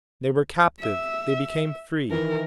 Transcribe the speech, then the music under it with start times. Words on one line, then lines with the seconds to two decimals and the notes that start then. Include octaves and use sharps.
They were captive; they became free.
0.80 E5
2.11 D#3 E3 A#4